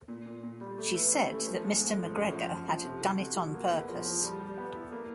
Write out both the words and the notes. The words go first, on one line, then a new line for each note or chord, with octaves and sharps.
She said that Mr McGregor had "done it on purpose."
A#2
A#2
A#2
G3
A3
E3
C#4
A3
F3
G#2
G#2
F3
F#2
F3
F#2
F3
C3
F#3
C3
F#3
A#3
E2
F3
F3
G3
G3
B3
E4
A#3